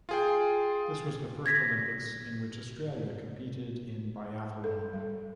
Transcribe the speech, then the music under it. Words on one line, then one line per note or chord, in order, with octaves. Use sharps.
This was the first Olympics in which Australia competed in biathlon.
F4 G#4 G5
G#6 A#6 B6
A4
G3